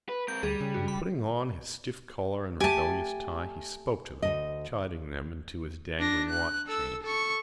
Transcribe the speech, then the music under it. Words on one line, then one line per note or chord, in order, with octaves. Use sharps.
And putting on his stiff collar and rebellious tie he spoke to them, chiding them, and to his dangling watchchain.
B4
C4 A#4 G6
D2 G3 G#4
C#3
F#4
B5
A3 G4 G#5 A5
D2 A#2 D#5
D4 A#6
F#6
A4 E6
A4 C#6